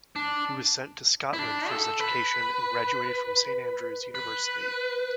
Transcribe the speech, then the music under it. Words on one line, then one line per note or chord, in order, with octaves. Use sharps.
He was sent to Scotland for his education and graduated from Saint Andrews University.
D4
E4
D4
A4
B4
B4